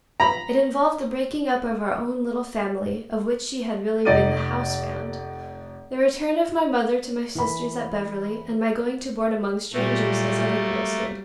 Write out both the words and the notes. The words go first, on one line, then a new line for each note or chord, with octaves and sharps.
It involved the breaking up of our own little family, of which she had really been the "houseband," the return of my mother to my sisters at Beverly, and my going to board among strangers, as other girls did.
A#5 B5
F1 D#4 D5 D#5 D#7
E3 B5
A#2 F#3 G3 A3 A#3